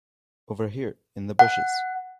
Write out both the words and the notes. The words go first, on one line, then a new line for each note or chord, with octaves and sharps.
Over here in the bushes.
F#5